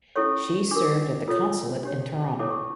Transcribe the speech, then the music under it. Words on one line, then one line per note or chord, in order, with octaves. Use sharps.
She served at the consulate in Toronto.
C#4 E4 A4 C#5 C#6
D4 G4 A#4 D6
F4 A4 C#5 E6
D4 G4 C#5
E4 A4 C#5 D6
C#6